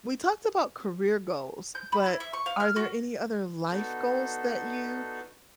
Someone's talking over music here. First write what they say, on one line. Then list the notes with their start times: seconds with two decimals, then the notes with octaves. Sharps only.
We talked about career goals, but are there any other life goals that you,
1.75 G6
1.92 B5
2.06 E4
2.20 E5
2.33 C#6
2.46 F5
2.60 F6
2.76 F#4
3.71 B3 D4 D#4 F#4 A4 B4